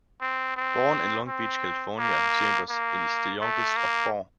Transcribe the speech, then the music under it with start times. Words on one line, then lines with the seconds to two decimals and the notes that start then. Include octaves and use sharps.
Born in Long Beach, California, Chambers is the youngest of four.
0.21 C4
0.56 C4
1.27 C4
1.99 A#3
2.70 A#3
3.41 A3
3.76 A#3